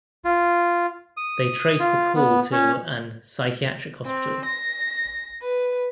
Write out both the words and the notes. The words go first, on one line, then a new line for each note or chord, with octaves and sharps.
They trace the call to an psychiatric hospital.
F4
D#6
F4
B3
C#4
C4
A#6
B4